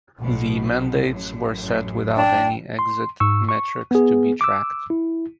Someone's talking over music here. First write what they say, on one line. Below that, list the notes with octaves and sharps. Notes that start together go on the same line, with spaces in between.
The mandates were set without any exit metrics to be tracked.
B1 B2
A1 F#2
D4 G5
C6
G#2 C#6 E6
C#6
B3 G#4
D6 E6
E4